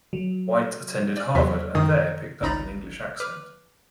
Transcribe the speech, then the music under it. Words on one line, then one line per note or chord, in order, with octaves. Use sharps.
White attended Harvard and there picked up an English accent.
F#3
D5
E2 E3 F#3 G4 B6
F#2 D#3 D#6
G#1 C#2 D#4 A#5 B5 A6
B4 D6 F6